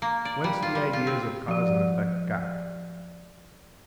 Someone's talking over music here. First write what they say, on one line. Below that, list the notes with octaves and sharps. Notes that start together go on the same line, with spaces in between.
Whence the Ideas of cause and effect got.
A#3
D5
G3
F4
G3
F4
C4
F3 D5